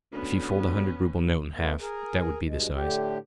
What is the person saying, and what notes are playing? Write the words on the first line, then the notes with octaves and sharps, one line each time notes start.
"If you fold a hundred-rouble note in half, that would be the size."
D2 B3 C#4
A3 B3
G#4 A#4
G2 B2 G#3
A2 D3 G4